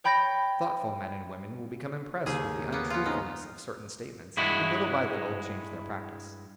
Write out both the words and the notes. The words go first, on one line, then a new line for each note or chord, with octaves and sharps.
Thoughtful men and women will become impressed with the untruthfulness of certain statements and little by little change their practice.
C#5 G5 B5 G6 A6 A#6
D#2 C#3 G#4
A#3 B3
B3 F4
G#3 C#4 D#4 A#4
G2 G#3 E4 F#4